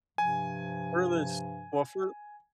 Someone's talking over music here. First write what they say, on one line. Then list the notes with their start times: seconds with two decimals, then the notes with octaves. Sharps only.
Furthest well, fur
0.18 G2 C3 F3 G#5